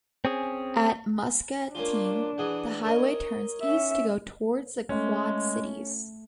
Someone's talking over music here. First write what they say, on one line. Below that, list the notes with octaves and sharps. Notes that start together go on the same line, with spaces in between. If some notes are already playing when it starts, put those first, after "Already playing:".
At Muscatine, the highway turns east to go towards the Quad Cities.
C4 C#4 G#4
A#3 C#4 D4 F4
E3 G#4 F#5
A#4 C#5 D#5
C#4 E5
G#3 A3 C#4